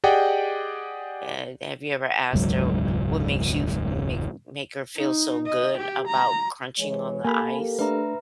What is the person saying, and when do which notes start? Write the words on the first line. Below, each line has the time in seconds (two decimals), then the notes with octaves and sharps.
eh, have you ever asked her what makes you f make make her feel so good about crunching on the ice?
0.04 G4 G#4 D5 D#5 F#5 G5
2.33 E1 C#2 G#2 F#3
4.96 D#4
5.46 D#5
5.78 G4
6.08 A#5
6.78 E3 G#3 C#5
7.24 A#3 G4 A4 A#4 G#5 A5 B5
7.79 A3 D4 B4 E5 A#5